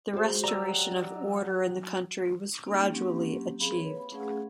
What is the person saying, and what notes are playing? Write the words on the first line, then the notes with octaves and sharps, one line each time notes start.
The restoration of order in the country was gradually achieved.
G#3 F#4 C5
F#3 G4 D5 A#5 E6
A#3 C#4 D#4
F#3 A#3 C4 C#4 G4
C4 G#4 F5 B5
B4 C#5
B5
A3 C#4 G#4 F5 F#5